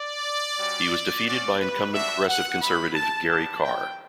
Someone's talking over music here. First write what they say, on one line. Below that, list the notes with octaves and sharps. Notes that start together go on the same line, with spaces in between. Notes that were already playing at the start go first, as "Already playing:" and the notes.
He was defeated by incumbent Progressive Conservative Gary Carr.
Already playing: D5
G3 C#4 F#4
C#4 F#4 D5
B4
G3 D4 F#4 E5
F#5
G3 B3 E4 B5
A5
B3 D4 G4 A5
G5